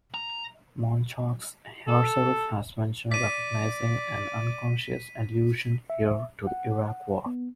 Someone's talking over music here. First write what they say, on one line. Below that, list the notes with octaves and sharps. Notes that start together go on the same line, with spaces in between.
Monchaux herself has mentioned recognizing an unconscious allusion here to the Iraq War.
A#5
A4
D5 B6 D#7
E5
F#5
B3